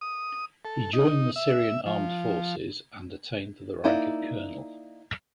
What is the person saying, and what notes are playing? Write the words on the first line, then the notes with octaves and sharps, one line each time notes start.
He joined the Syrian Armed Forces and attained the rank of colonel.
D#6
A4
D#4
E5
F3
A#3 D#4 E4 D5